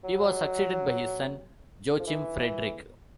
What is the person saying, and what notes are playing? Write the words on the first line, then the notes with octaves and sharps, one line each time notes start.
He was succeeded by his son Joachim Frederick.
F#3
F3
E3